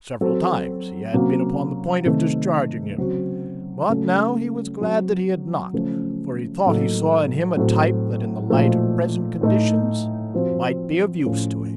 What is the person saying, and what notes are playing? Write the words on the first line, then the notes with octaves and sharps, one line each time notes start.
Several times he had been upon the point of discharging him, but now he was glad that he had not, for he thought he saw in him a type that in the light of present conditions might be of use to him.
F#3 C4 F#4 A4
C3 F#3 A#3 C#4 F#4
C3 D#3 A3
C#3 F#3 C4 F#4
C#3 F#3 A3 C#4 A4
F#3 C4 F#4
C#3 F3 A3 C#4
A2 F#3 A#3 D#4 A4
A2 F#3 C4 F#4 A4
A#2 F3 A3 D#4 F#4
A2 A3 D#4
F3 C4 F#4
A2 F3 A3 C#4 F4